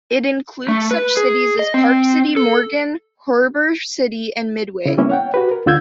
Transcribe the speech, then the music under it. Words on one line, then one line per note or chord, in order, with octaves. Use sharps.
It includes such cities as Park City, Morgan, Heber City, and Midway.
A3
B4
G#4
D#5
C4
A4
C#3 E4
G3 A#3 B3 C#4 E4
C#5 F#5 G5
F#4 G4 B4
A#4
D2 D3 F4 E6 G6 G#6